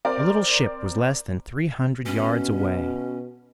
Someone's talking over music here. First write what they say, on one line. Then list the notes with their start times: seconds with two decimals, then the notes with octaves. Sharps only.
A little ship was less than three hundred yards away.
0.05 C4 A#4 D5
2.06 B2 C#4